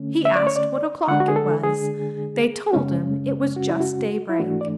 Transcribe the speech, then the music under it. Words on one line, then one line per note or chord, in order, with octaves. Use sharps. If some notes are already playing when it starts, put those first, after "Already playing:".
He asked what o'clock it was; they told him it was just daybreak.
Already playing: D3 A3 C#4
E5
D5
C#5
D5
D3 G#3 D4 F#5
F#4
G#4
A4
G#4
F#2 C#3 G#3 C#4
F#4
E4
F#4
E4
G#2 E3 A3 D4 F#4
D5